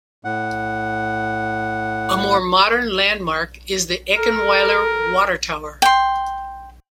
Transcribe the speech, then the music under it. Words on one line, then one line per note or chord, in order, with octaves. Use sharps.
A more modern landmark is the Eckenweiler Water Tower.
A2 F#5
A4 A#4
G5 C6